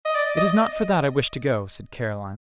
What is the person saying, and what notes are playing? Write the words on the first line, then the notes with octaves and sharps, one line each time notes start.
"It is not for that I wish to go," said Caroline.
D#5
D5
D#5